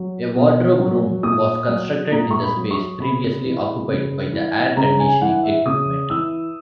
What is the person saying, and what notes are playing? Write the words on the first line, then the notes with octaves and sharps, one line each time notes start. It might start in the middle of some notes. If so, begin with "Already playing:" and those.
A wardrobe room was constructed in the space previously occupied by the air-conditioning equipment.
Already playing: F#3
B2
F#3
A#2 D#6
F#3
A#2 A#5
C#6
B5
F#3
C#6
C#3 B5
E3
C#3
E3
C#3 A#5
G#5
E3 F#5
E5
C#3 D#6
E3 E6